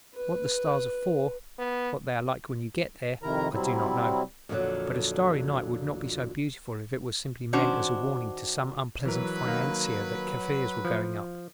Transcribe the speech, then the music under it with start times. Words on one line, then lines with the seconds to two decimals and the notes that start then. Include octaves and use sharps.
What the stars are for, what they are like when you get there, I do not know; but a starry night would not be so beautiful if it were simply meant as a warning to some unpleasant financier that Kaffirs were going up.
0.15 B4
1.59 B3
3.23 F2 C3 D#3 E4 A#4 A#5
3.53 C3 F#3 G3 C4 E4
4.49 F2 A#2 D3 D#3 F#3
7.53 D#3 C#4 D4 F#4 C5
9.05 E3 F#3 A#4 B4
9.46 D#3 A#3
10.85 F3